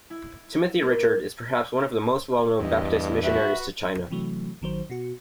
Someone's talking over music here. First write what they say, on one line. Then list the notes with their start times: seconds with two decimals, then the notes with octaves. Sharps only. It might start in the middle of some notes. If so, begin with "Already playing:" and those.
Timothy Richard is perhaps one of the most well-known Baptist missionaries to China.
0.10 E4
0.82 A#3
2.60 E2 G2 G4 D#5
3.23 F#4 B4 E5
4.10 C3 E3 F#3 A3
4.62 A1 D#3 F#3 C5
4.90 B2 F#4